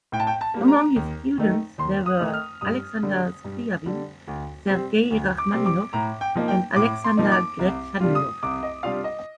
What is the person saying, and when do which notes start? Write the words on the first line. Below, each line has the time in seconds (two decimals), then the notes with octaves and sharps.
Among his students there were Alexander Scriabin, Sergei Rachmaninoff and Alexander Gretchaninov.
0.12 A2 G5
0.20 A5
0.27 G5
0.41 A5
0.54 G3 A#3
0.68 A#5
0.96 D#2
1.38 D#3 A3 D#4
1.78 D#2 C6
2.06 D#6
2.20 D#3 A3 D#4
2.33 F6
2.61 G2 D#6
3.03 D3 G3 D4
3.44 G2
3.86 D3 G3 D4
4.28 D2
4.68 C3 G3 C4
5.11 D2
5.38 D6
5.52 C3 G3 C4
5.66 D6
5.93 A2 A#5
6.21 G5
6.36 F3 A#3 D#4
6.48 G5
6.76 A2 D6
7.04 C6
7.17 F3 A#3 D#4
7.32 D6
7.59 C2
8.00 C3 G3 D4 F4
8.15 D#6
8.43 C2 D6
8.63 D#5
8.83 C3 G3 D4 F4 F5
9.04 D#5